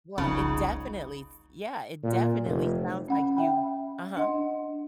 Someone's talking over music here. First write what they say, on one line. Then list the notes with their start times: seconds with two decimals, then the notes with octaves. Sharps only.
Well, it definitely s Yeah, it definitely sounds like you Uh-huh.
0.18 F1 C2 C#3 F3 D#4 B5
2.03 A#2
2.44 F1
3.08 C#4 F#5 B5
3.37 E5 G5 B5
4.17 D4 D#5 F#5 C6